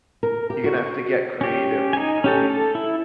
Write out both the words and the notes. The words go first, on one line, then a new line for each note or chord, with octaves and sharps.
You're gonna have to get creative, I mean,
A#4
G4
F#4
C#4 G4
D#4 G#5
C#4 G4 A4
A4
E4